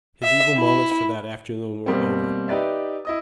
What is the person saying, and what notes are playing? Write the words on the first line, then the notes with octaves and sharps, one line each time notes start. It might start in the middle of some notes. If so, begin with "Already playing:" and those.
His evil moments for that afternoon were over.
E5
E4
B2 G3 A#3 C4
D#4 G4 B4 D5 E5
E4 D#5 D#6